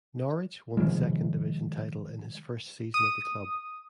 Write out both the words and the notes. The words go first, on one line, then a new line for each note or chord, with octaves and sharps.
Norwich won the Second Division title in his first season at the club.
C3 D#3 F3 G#3
D#6